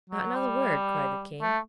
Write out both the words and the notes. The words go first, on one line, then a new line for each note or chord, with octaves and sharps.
"Not another word!" cried the king.
F#3
G3
A3